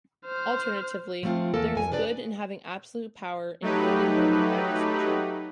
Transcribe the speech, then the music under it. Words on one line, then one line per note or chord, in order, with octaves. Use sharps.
Alternatively, there is good in having absolute power, and good in leading by persuasion.
C5 F6
F3 G3 A3 C4 F4
E2 A#3 A4 G#5
F2 G#5
D4 G#4 B4 D5
F#3 A3 D#4 G4 B4